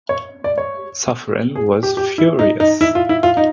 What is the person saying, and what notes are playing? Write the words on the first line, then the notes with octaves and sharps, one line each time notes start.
Suffren was furious.
C#5
D5
C#5
G#4
G4
G4
E4
D#4
D#4
E4
F4
E4
F4
D#4